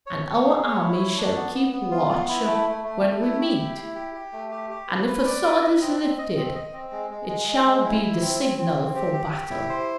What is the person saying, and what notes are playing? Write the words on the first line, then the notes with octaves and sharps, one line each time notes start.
"And our armies shall keep watch when we meet, and if a sword is lifted it shall be the signal for battle."
C#5
C#5
G#4
C#5
E4
C#5
D4
B3
B3
B3
F4
B3
E4
A3
A3
A3
A3
E4
G4
E4
E4
G4
G4
A3
G4
G4
B4
B4
D5
B4
D#5
C4
C4
D#5
C4
D#5
C4
G#3
G#3
G#3
G#3
G#3
E4
E4
C4
C4
C4
C4
G4
G4
G4
E4
C5